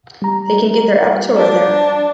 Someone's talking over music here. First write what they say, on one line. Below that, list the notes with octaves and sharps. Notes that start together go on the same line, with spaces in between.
They can get their Abitur there.
G3 A#5
D4